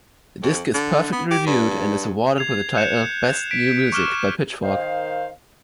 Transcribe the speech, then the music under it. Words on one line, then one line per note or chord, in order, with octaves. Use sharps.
The disk is perfectly reviewed and is awarded with the title “Best New Music” by Pitchfork.
F2
D3
B3
G4
G2
G#6 C7 F7
F#6 G6 C#7 E7
B6 D7
C#6 D6 F6 F#6 E7
D#3 C5 F5